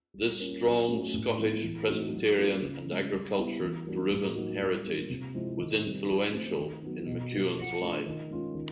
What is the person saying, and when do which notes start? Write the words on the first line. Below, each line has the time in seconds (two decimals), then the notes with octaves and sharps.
This strong Scottish, Presbyterian, and agriculture-driven heritage was influential in MacEwan's life.
0.14 G3
0.39 A#3 C#4 F4
0.64 F#3
0.88 A3 C#4 F#4
1.14 A2
1.38 F3 G#3 B3 E4
1.63 E3
1.87 A3 C4 D#4 F#4
2.13 F#3
2.37 A#3 C#4 F4
2.62 C#3
2.86 F3
2.91 G#3
3.11 G3
3.36 B3 E4
3.60 E3
3.85 G3 A#3 D4 F#4
4.10 A2
4.34 F#3 A#3 D#4 F#4
4.60 G3
4.84 A#3 D4 F4
5.10 C3
5.34 F3 G#3 C4 E4
5.58 D#3
5.84 G3 C4
6.08 F3
6.33 A3 C4
6.57 D#3
6.83 F#3 B3 D#4
7.06 B2
7.32 F#3 A#3
7.56 F3
7.82 A3 D4 F4
8.06 D#3
8.30 G#3 C#4 F4
8.55 D#3